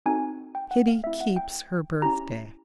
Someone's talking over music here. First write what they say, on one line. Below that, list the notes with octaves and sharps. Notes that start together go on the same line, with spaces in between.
Kitty Keeps Her Birthday.
C4 D#4 F#4 A4 G#5
G5
F#5
F5
A3 C4 E4 E5
F#5
G5
C#4 E4 G4 A#5